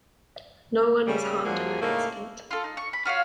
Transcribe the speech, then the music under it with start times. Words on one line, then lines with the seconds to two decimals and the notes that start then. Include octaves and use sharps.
No one was harmed in the incident.
1.07 C#3 G3
1.45 F#2 F3 A#3 G#4 F#5
1.81 A2 C#3 A3 A#3 D#4
2.51 F4 A4
2.64 D#4
2.77 C#6
2.93 B5
3.05 F4 F#4 C#5 F5